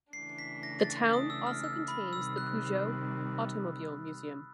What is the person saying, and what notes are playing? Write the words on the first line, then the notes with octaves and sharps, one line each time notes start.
The town also contains the Peugeot automobile museum.
C#3 E3 A3 D4 C7
B6
A#6
A6
D#6
E6
F6
E6
B5
C3 D#3 G3 E6
F#6